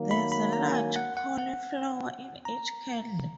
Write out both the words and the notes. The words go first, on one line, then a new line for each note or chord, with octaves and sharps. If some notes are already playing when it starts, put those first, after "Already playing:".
There's a large cauliflower in each candle.
Already playing: D#3 F#3 A#3
B5
B5
A#5
G#5
F#5
F#5
F#5
A#5